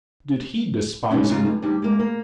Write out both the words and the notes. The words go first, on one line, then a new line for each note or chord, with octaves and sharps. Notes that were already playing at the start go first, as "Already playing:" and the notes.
Did he despise me?
D2 G#2 B2 F#3 C#4
D#2 G#2 C#3 D#4 F4
G2
D2 D#3 G3
G#3 A#3
A#3